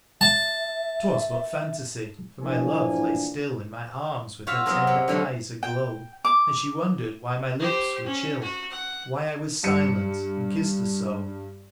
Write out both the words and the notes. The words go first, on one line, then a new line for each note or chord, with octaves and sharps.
'Twas but fantasy, for my love lay still In my arms with her tender eyes aglow, And she wondered why my lips were chill, Why I was silent and kissed her so.
E5 A5
A#1 E3 F3 A#3 D4 G#5
F4 F#4 C#5 E5 F5
F#3 B3 C4 G#4 A#4
C3
D3 F#3 A3
G5
D6
G4 C5
C#4
F#4
F#5
G2 C#7